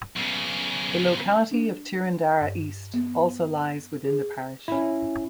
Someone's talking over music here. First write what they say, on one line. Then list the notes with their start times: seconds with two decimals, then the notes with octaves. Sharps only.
The locality of Tyrendarra East also lies within the parish.
0.16 B1 C#3
1.51 D4
2.41 G2
2.94 B3
4.04 G#4
4.68 C#4 E4